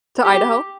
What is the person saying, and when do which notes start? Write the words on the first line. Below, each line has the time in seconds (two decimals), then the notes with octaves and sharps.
To Idaho?
0.25 G4